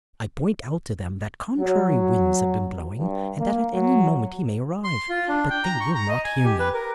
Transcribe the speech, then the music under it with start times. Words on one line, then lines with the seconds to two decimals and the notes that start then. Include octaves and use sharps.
I point out to them that contrary winds have been blowing, and that at any moment he may arrive; but they will not hear me.
1.60 F#3
2.98 G2
3.39 A#3
3.73 F#3
4.84 C6
5.09 F4
5.28 D4
5.50 G5
5.64 A#5
5.80 C#6
5.95 A#5
6.09 D#5
6.24 G#5
6.45 G4
6.60 B4
6.74 A#4